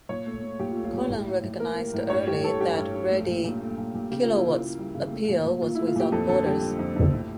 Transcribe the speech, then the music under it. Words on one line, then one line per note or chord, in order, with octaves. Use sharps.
Collins recognized early that Reddy Kilowatt's appeal was without borders.
A#2 C#5
A3
A3
A#2 G4
F4
A3
F4
A#2 G4
A2
A2
A2
A#3 A#4
A#3
A2
G2 C#5
G2 G4
G2 A4
G2 G4
G2
G2
A3
A#2
A#2
A3
A#2
A#2
C#3 G4
A#3 F4
E4
C#3 F4
A#3
G3
C#3
A3
A#2
A#2
A#2 F4
A3 E4
F4
A#2 G4
F2 A4
D3 A4
G3 G4
D3
F2
F2
A2